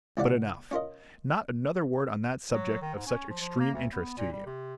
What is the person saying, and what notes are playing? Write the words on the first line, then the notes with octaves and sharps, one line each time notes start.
But enough ... not another word on that subject of such extreme interest to you.
C#2 C3 E3 D5 F5 F#5
C#4 F4 A#4 D#5
F#3
D#3
G#2
C#4
F3
F3
A#3
D2
B3
A#2
G3
C3